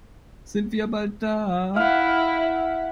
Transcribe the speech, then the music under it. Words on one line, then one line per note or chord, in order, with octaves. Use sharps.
Sind wir bald da?
E4 F5 F#5